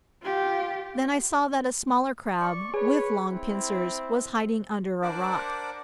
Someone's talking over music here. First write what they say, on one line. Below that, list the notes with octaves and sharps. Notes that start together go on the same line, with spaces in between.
Then I saw that a smaller Crab, with long pincers, was hiding under a rock.
F4 G4
D5 C#6
G#4 B4 C#5
C4 E4
D4 A#4 C5 D5 F#5 D6